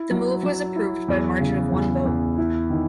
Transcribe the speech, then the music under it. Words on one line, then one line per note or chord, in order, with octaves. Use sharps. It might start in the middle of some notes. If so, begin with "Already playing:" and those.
The move was approved by a margin of one vote.
Already playing: E4
F#3
F#3
E4
E2
C#3
E2
E2
E4
D#3